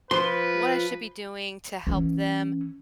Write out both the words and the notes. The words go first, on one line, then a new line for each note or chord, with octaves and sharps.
what I should be doing to help them
F3 B4 C6
E3 C#4